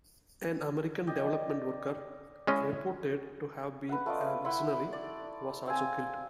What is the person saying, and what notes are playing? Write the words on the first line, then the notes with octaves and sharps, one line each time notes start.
An American development worker, reported to have been a missionary, was also killed.
D5 D#5 G5
G#3 C#4 E4 D#5
B4 F#5
A3 F4 D5 D#5
E4 F#5 B5 C6
D5
C4 F5 G#5